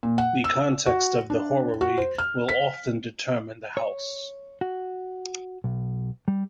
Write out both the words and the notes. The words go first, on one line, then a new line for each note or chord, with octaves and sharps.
The context of the horary will often determine the house.
A#2
F#5
E6
F#4
D4
F#4
C5
F6
B6
C#5
F#4
B1
G3